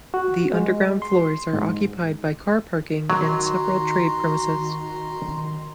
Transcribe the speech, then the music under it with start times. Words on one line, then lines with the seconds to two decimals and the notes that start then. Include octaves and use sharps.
The underground floors are occupied by car parking and several trade premises.
0.14 F#4
0.53 G#3
1.02 C6
1.53 G#2
3.10 D#3 F#3 F#4 A#5 C6